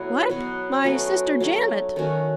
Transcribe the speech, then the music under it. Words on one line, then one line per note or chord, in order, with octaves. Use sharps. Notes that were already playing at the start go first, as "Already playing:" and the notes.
"What! my sister Janet?"
Already playing: B2 F#3 A3 B3 E4
B2 F#3 B3
B2 F#3 A3 C#4
F#3 A3 D#4
D#3 A3 C#4 F#4